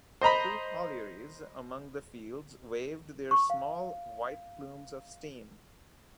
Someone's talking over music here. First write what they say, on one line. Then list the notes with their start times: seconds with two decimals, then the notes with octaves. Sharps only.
Two collieries, among the fields, waved their small white plumes of steam.
0.21 C5 D#5 A#5 B5
3.31 C#6
3.50 F5